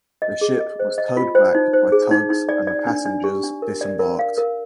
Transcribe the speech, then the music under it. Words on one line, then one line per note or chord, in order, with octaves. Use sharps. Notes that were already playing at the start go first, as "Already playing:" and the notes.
The ship was towed back by tugs and the passengers disembarked.
D#5
G#4
D#5
C5
D#5
F4
C5
D#4
C5
G#4
D#4
D#4
D5
D5
D4
D4
G4
D4
A#4
D5
A#4
F5
A#4